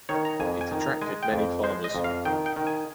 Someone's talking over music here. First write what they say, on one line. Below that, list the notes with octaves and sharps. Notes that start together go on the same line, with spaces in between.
It attracted many farmers.
D#3 C#5
A#5
F2 G#5
G#5
D#3
A#5
G#3 G#5
G5
F2
G#3 C5
D#5
F2
F5
D#3 G5
G5
D#3
G#5